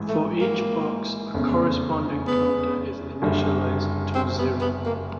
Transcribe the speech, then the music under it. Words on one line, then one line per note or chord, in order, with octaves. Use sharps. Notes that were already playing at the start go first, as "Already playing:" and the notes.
For each box, a corresponding counter is initialized to zero.
Already playing: A1 G#2 E3
A3
A#3
F1 E2 C#3
B3
F#1 F#2 D3 G3
C4
B3
B3
A#3